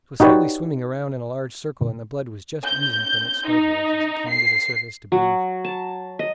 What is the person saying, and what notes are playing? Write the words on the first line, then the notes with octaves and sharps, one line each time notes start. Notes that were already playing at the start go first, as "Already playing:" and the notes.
It was slowly swimming around in a large circle, and the blood was just oozing from its spout-holes as it came to the surface to breathe.
D#4 F#4 G4 B4 C#5 D5
G6
D#4
C7
F#3
A5
D#5